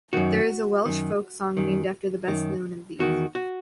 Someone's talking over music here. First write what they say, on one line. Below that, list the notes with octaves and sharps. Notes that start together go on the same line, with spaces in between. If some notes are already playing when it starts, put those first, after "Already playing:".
There is a Welsh folk song named after the best-known of these.
F#2 D#3 F#4
F#2 D#3
F#2 D#3
F#2 D#3
E2 D#3 F#4
F#4